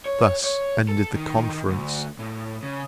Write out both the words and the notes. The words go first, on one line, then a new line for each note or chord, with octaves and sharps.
Thus ended the conference.
C#5
C#5
A4
D#3
D2
A2
C#3